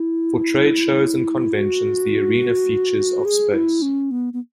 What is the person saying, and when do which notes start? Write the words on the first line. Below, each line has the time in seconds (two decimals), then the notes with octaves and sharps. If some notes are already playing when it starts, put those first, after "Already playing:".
For trade shows and conventions the arena features of space.
Already playing: E4
1.53 F#4
3.25 G#4
3.53 E4
3.82 C#4
4.11 B3
4.33 B3